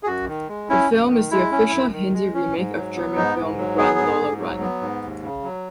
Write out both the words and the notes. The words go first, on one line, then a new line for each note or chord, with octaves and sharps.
The film is the official Hindi remake of German film "Run Lola Run".
G#4
F#2 F#4
D#3
G#3
C#4 E4
F#2
D#3
G#3 E4
C#4
F#2
D#3
G#3
C#4
G#2
F#3
B3
G#2 D#4
G#2
F#3
B3 G#4
G#2
G#2
F#3
B3
G#2
D#2
C#3
F#3